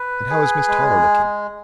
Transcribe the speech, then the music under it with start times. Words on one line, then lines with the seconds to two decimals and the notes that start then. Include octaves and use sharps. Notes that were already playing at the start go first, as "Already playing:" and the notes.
And how is Miss Toller looking?
Already playing: B4
0.30 G#4
0.68 G#3